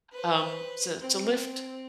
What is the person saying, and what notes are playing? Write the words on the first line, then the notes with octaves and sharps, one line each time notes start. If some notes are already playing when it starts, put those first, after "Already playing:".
um, to to lift
B4 C5
C4